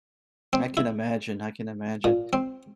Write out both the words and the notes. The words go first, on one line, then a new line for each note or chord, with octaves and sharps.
I can imagine, I can imagine.
C4
E4
A#2
C4